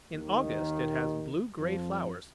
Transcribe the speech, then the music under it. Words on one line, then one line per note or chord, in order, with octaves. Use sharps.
In August it has blue-grey flowers.
D#2 D#3
F2 F3